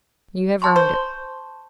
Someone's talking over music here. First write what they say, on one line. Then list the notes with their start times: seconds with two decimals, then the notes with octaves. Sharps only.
You have earned it.
0.62 A5 C6 C#6
0.76 C5